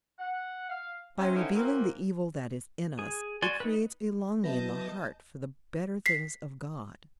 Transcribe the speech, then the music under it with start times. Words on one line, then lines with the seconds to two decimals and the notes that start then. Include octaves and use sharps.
By revealing the evil that is in us it creates a longing in the heart for the better things of God.
0.19 F#5
0.68 F5
1.17 C3 F3 C4 C#4
1.34 D3 E3 C4 C#4 D#4 E4
1.54 E3 F#3 A#3 C4 A#4
2.99 G#4
3.42 F#4 D5 G#5 C6
3.60 D#4 B4
4.44 F#3 B3 E4 B4 D#5 A5 G6 A#6
6.06 B6 C7